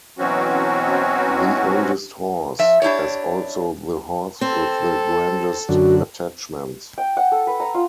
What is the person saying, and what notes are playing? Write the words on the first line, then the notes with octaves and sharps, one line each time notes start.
The oldest horse as also the horse with the grandest attachments.
B2 E3 F#3 C4 C#4 F#4
F3 E5
D4 E4 G4 C#5
C4 A4
F#2 D3 F#4
G5
F#5
A4
B4
A#5
F4